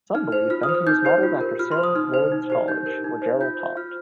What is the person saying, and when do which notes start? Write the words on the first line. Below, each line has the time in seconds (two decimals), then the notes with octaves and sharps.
Some believe Benton was modeled after Sarah Lawrence College, where Jarrell taught.
0.14 D#4 F6
0.32 C5
0.50 F4 F6
0.63 D#6
0.69 C5
0.74 F6
0.87 D#4 G6
1.05 G4 C5
1.23 F4
1.41 A#4
1.59 F4 F6
1.72 C6
1.77 C5
1.83 D#6
1.95 D#4 F6
2.14 C5
2.32 D#4
2.50 G4 C5
2.68 D#4 G6
2.86 A#4
3.04 D#4
3.22 C5
3.41 F4 G6
3.59 C5
3.77 F4 F6